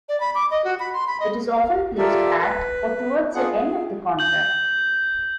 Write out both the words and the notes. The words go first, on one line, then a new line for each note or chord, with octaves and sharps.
It is often placed at or towards the end of the contract.
D5
B5
D6
D#5
F#4
B5
C6
B5
D#5
F5
F4 G4 A4 A#4 D5 E5
B4
B3 D4 F4 G#4 F#5
G#4
G6 F#7